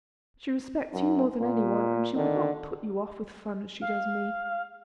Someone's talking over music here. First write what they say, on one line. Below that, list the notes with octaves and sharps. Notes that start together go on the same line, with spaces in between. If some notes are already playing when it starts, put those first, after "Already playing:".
She respects you more than any one, and she would not put you off with fun as she does me.
F#2
A#2
D3 D#3
F5